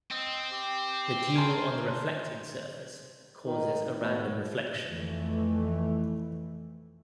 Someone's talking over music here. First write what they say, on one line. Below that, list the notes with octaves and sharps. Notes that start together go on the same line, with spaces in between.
The dew on the reflecting surface causes a random reflection.
C4 D#5 E6
G4
A#4 C5 G#5 A5 C6
D#3
B2
F2 E3 A3